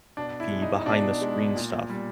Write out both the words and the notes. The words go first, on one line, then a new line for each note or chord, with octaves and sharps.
the behind the screen stuff.
B2 D4
E4
G#3
D#4
D#4
B2 D4
G#3
A#2
G3